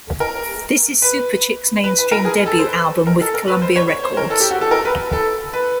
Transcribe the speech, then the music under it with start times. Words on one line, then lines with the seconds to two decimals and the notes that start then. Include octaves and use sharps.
This is Superchick's mainstream debut album with Columbia Records.
0.20 A#4
1.02 B4
1.84 B4
1.98 B4
2.12 A#4
2.25 G#4
2.46 A4
2.59 C5
2.66 B4
3.07 A#4
3.21 A4
3.34 A#4
3.48 B4
3.62 C5
3.76 C#5
3.90 C#5
4.03 C5
4.17 A#4
4.30 A4
4.40 G4
4.51 F#4
4.61 A4
4.71 A#4
4.85 B4
5.13 A4
5.53 B4